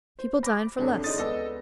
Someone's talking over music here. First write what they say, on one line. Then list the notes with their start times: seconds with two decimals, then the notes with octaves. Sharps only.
People dine for less.
0.19 C5
0.43 B5 D6 A#6
0.79 E1 F#2 C3 D4 A4 C#5
1.04 G#3 D#4 D5 D#5 D#6 A6
1.18 C#2 B3 A4 D5 D#5